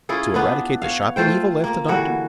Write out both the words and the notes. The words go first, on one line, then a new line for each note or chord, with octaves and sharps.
"To eradicate the shopping evil?" laughed the Doctor.
C#4 E4 F4 G#4
B3 D4 B4
C#5 F5
A3 F4 C5 G5
A#3
D3 E3 G3 F#4